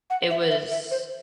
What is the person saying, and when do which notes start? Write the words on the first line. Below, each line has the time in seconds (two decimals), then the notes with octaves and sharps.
It was
0.10 F#5
0.30 E5
0.51 E5
0.71 E5
0.91 C5